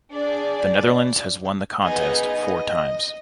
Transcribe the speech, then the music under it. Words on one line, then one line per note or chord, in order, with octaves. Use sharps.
The Netherlands has won the contest four times.
D4 G#4 D5
B3 D#4 G#4 D#5
D#5